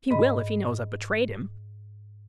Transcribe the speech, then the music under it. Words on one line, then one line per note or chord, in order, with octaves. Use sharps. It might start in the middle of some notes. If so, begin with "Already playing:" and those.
"He will, if he knows I've betrayed him."
G#2 D#5 B5